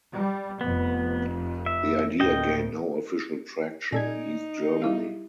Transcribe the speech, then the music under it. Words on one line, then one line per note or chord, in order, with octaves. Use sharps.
The idea gained no official traction in East Germany.
G3
F1 F2 B3
E5
D2 A2 D#5 G5
A#2 D#4 A4 D5 G#5 G#6
G3 E4 G4 F5